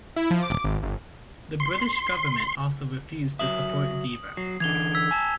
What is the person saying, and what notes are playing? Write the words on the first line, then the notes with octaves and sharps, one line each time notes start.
The British government also refused to support Deva.
E4
F3
D6
G#1
G1
C6
F#3 E5 D#6 F#7
F#3 C7
D3 E3 G#6 F7 G7
E6 G#6 B6
G#5 A5 E6